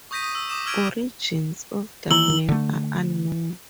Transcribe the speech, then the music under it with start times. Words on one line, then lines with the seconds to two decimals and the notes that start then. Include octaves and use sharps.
Origins of that name are unknown.
0.11 C#6 D#6 G6 A#6 B6 D#7
0.22 D#6
0.35 C#6 E6
0.49 D6 D#6 E7
0.66 E6 F6 G#6 D7 D#7
2.11 D#2 E3 A#5 E6 F#7 G7
2.49 D3 A3